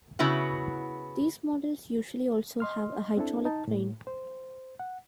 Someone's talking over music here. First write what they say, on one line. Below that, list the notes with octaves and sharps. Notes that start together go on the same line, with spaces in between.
These models usually also have a hydraulic crane.
C#3 B3 E4 F#4
D#5 C6 F6
C4 D4 E4 A4
D#4 A5
A2
C5
F#5